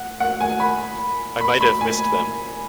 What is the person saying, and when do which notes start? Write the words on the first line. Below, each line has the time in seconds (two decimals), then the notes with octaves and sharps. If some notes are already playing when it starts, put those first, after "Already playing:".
I might have missed them.
Already playing: F#5
0.20 F#5
0.40 G#5
0.60 B5
1.41 B5
1.61 B5
1.81 G#5